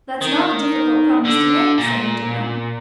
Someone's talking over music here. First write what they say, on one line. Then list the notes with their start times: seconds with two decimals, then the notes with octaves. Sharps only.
"That's not a difficult promise to make," said Winterbourne.
0.21 D#3
1.25 D3
1.78 A#2